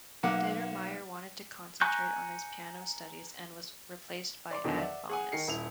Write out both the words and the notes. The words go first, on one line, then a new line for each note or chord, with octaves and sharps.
Determeijer wanted to concentrate on his piano studies and was replaced by Ad Wammes.
B1 A#3 F#5 D6
G#5 A#5 C#6 F#6 G6
D5 C6 D6
E2 B2 D3 D#3 F#3
D5 E5 F#5
G#4 F#5 G#5
D#3 C7 C#7
D#1 E4 F7